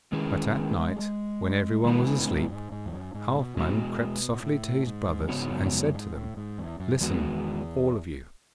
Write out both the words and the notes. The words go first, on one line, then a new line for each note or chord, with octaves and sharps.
But at night, when every one was asleep, Halfman crept softly to his brothers, and said to them, 'Listen, all of you!
D#3 G#3 C#4 E4 G#4 B4
D#3
C#3
D#3
G#3
G#3
D#3 G#3 B3 E4 B4
D#3
C#3
G#2
A2
F#2
G#2
G#2
E2
F#2
G#2
B2
B2 G#3 B3 F#4
B2
A2
G#2
F#2
G#2 C#3 G#3 B3 F#4 C#5
F#2
E2
F#2
G#2
A2
G#2
E2
F#2
E2 D#3 G#3 B3 F#4